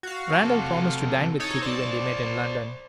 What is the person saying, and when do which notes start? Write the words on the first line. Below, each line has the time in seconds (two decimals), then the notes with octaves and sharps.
Randal promised to dine with Kitty when they met in London.
0.03 F#4 F5
0.33 C3 A4
1.40 D#4 A4 C#5
1.62 C5 D5 A5